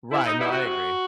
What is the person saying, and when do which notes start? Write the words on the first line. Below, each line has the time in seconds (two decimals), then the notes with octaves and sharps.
Right, no I agree.
0.11 C3 E4
0.26 D#4
0.38 D#3 G3 B3 E4
0.52 F#4
0.65 C3 F#4